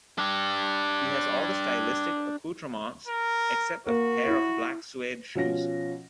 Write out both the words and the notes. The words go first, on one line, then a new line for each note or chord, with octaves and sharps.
He has all the stylistic accoutrements, except a pair of black suede shoes.
D4 G4
A#4
A#3 F#4
E4
B2 F3 C#4 F4 A#6